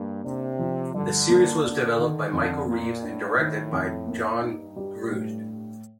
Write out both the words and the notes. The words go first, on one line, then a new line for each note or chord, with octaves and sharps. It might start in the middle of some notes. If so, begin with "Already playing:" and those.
The series was developed by Michael Reaves and directed by John Grusd.
Already playing: G2 A#3
C3 D4
F3
G2 D3
A#3
D3 D4
D#3
F2 D3
A#2 A#3
A2 D4
D#3
F2
A#3
G2 D#4
G3
A2